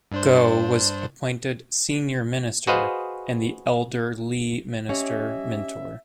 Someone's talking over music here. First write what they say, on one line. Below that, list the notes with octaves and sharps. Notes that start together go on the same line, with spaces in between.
Goh was appointed Senior Minister, and the elder Lee Minister Mentor.
G2 D4 C5
F#4 G#4 B4 C5 D#5 F5
C#4 G4 C#5 D#5 E5